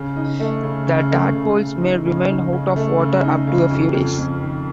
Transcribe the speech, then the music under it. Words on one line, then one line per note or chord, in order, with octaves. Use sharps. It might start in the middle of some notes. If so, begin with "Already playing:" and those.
The tadpoles may remain out of water up to a few days.
Already playing: C#3
D#4
A3
C#3
C#3
A3
C#3
C#3
D#4
C#3
D#4
C#3
A3
C#3
D#4
C#3
F2
F2
F2
D#3